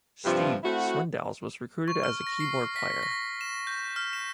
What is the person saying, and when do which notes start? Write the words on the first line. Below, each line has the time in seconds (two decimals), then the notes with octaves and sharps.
Steve Swindells was recruited as keyboard player.
0.24 G2 C3 F3
0.64 A3 C4 E4 F#4
1.88 C#6
2.04 F6
2.27 A#6
2.40 C7
2.76 B6
3.03 A#6
3.41 E7
3.67 G6
3.96 F6
4.13 E7